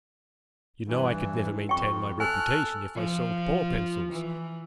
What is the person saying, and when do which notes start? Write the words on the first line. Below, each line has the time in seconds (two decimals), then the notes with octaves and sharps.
You know I could never maintain my reputation if I sold poor pencils.
0.88 G2 E3
1.69 F2 G5 C#6
2.20 A4 G#5 F6 F#6
2.95 F3
4.12 E3